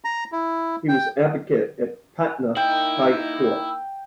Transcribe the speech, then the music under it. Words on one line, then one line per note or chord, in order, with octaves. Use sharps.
He was Advocate at Patna High Court.
A#5
E4
G5
A#3 D#4 E4 G5